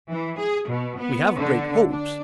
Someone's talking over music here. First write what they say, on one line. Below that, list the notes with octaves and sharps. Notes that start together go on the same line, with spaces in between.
"We have great hopes."
E3
G#4
B2
B3
D3
D4